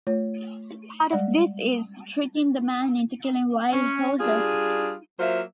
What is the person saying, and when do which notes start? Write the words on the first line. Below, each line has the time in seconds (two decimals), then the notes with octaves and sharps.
Part of this is tricking the man into killing wild horses.
0.07 A3 F4 C#5
1.12 G3 G#3 D5 F#5
3.72 C#4
4.20 G3 D4 F4 G#4
5.19 F#3 A#3 F4 C5 E5